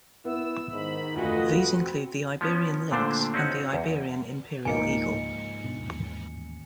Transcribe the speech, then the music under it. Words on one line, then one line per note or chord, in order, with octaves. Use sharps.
These include the Iberian lynx and the Iberian imperial eagle.
B3 E4 E6
G#2 D#3 B5
F1 D2 F4 F#4 B4 D#5
C4
F3 B3 C#4
A#2 D3 A3 D4 C5
C4 C#4 D#4 F#4
E2
C#2 G#2 D#3 F3 A#3 D#4 G#5 C#7
B2 B3 D4
A1 D#2